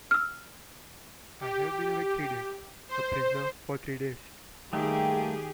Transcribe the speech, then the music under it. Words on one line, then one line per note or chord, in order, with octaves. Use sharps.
I have been awake three days — a prisoner for three days.
E6 F6
G4
C5
D#3 G3 A3 A#3 D#4 G4 G#4 G5